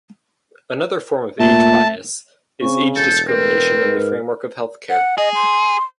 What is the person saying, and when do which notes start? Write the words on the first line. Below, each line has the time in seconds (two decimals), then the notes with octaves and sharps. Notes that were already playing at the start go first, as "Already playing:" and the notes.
Another form of age bias is age discrimination in the framework of health care.
1.39 A#2 A3 A5
2.61 C#3 C4 C#6
2.96 E1 A4 G6
3.28 C4 A#4 B4
3.83 G#2
4.90 F#5
5.18 G#4 D#5
5.35 C6